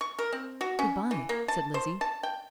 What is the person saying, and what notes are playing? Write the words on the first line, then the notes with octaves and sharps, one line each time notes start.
"Good-bye," said Lizzie.
C#6
A#4
C4
F#4
C#4
E3
A#3
A5
C5
A5
G5